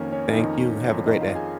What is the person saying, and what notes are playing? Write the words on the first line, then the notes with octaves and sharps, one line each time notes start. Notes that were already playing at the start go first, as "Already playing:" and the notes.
Thank you, have a great day.
Already playing: F2 D#3 A#3 C#4 A#4 C#5
C#4 C#5
F2 D#3 D#4 D#5
F2 D#3
D#4 D#5
F4 F5
G#4 G#5